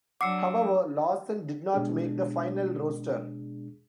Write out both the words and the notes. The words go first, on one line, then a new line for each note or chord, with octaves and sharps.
However, Lawson did not make the final roster.
F#3 D4 F#5 D6 E6 C7 C#7
B2 G#3 D4 G#4